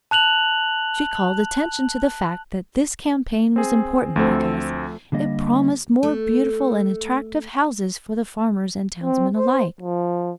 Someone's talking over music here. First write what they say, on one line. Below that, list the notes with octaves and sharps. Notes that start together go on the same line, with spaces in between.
She called attention to the fact that this campaign was important because it promised more beautiful and attractive houses for the farmers and townsmen alike.
A5 F#6 F7 F#7
C4 G#4
D2 F3 A3 C4 A4
D3 G3 A#3 D#5
A3
C4
C5
F3